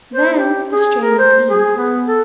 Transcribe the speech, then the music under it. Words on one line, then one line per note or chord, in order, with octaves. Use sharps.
Then the strain is eased.
C5
G4
G#4
A#4
C5
G#4
B3
A4